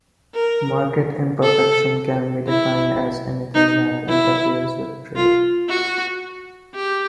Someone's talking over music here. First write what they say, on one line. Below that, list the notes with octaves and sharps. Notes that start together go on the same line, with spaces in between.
Market imperfection can be defined as anything that interferes with trade.
A#4
A4
E4
D#4
E4
F4
F#4
G4